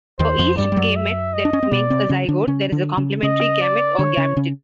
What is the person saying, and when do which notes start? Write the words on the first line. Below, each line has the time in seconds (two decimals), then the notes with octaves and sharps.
For each gamete that makes a zygote, there is a complementary gamete, or gametid.
0.19 D#2 D#3 C5
0.39 F2 F3
0.58 G2 G3 D5
0.72 G3
0.76 F#2 F#3
0.96 E5
1.34 D#5
1.45 D4
1.53 C#4
1.63 C4
1.71 B2 B3 D5
1.90 C3 C4
2.09 C#3 C#4
2.28 D3 D4
2.47 C#3 C#4
2.72 D3 D4
2.97 C#3 C#4
3.23 C#3 C#4 D#5
3.61 D5
3.98 D3 D4 C#5
4.17 C#3 C#4
4.37 C#3 C#4